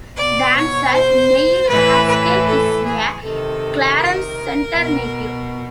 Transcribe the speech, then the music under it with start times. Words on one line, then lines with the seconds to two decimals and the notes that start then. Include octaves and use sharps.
Dancer Neil Haskell is a Clarence Center native.
0.17 B2 D5
0.55 C#5
0.93 C5
1.69 A2 E3 B4
2.07 B4
2.46 A4
2.84 G#4
3.22 C3 D#3 A4
3.98 A#4
4.74 B2